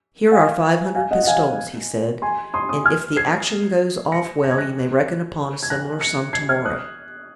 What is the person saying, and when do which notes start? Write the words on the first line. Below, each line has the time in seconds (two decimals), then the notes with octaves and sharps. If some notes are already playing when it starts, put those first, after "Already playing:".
"Here are five hundred pistoles," he said; "and if the action goes off well you may reckon upon a similar sum to-morrow."
0.32 F5 G#5
0.95 F5 G#5
1.11 D#5 F#5
1.23 F#5
1.27 F5 G#5
2.22 G#5 C6
2.54 C6 D#6
2.69 C6 D#6
2.85 F6 G#6
3.17 G#6 C7
4.12 A#6 C#7
4.43 A#6
4.51 G#6
4.58 F#6 A#6
5.63 G#6
5.70 F#6 A#6
6.01 A#6 C#7
6.33 G#6 C7
6.49 F6 G#6
6.65 D#6 F#6